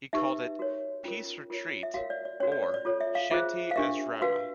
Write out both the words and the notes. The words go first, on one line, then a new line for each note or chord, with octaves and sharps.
He called it "Peace retreat", or, "Shanti Asrama".
D#4 G4 B4 E5
F#4 A#4 C#5
C#4 F4 A#4
F4 A#4 C#5
E5
F#4 A#4 C#5 F5
D5
D5
C#4 F#4 A#4 C#5
D5
D5
D5
F4 A4 C#5
E5
F5
F4 G#4 C5 E5
F5
D4 G4 A#4 E5
F#4 B4 F5